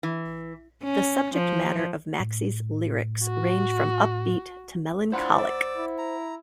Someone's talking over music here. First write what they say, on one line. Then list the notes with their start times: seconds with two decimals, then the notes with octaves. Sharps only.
The subject matter of Maxi's lyrics range from upbeat to melancholic.
0.03 E3
0.84 C#4
1.35 F3
2.20 A2
3.24 F#4
5.12 D4 E4 F4 C5 F#5
5.38 D5 D6 E6
5.76 E4
5.98 A#5